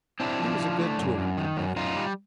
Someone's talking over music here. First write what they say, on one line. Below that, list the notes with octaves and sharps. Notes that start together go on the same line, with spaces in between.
He was a good touring companion.
C4 D4 E4
F3
F3
A3
F#2
F#2
D#3
F#2
F#2 D#4 F4
G3